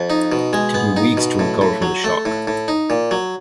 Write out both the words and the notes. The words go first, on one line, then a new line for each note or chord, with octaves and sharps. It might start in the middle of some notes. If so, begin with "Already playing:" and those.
It took me weeks to recover from the shock.
Already playing: F2
D#4
B2
G#3
B3
D#4
B2
A2
A2
F#3
A3
A2
A2
D#4
A#2
F#3